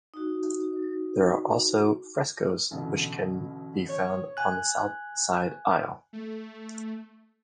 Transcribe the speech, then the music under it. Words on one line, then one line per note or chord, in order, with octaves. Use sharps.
There are also the frescoes which can be found on the south side aisle.
D#4 F#4
A1 B2 D3
C#5
G#5 F#6
A3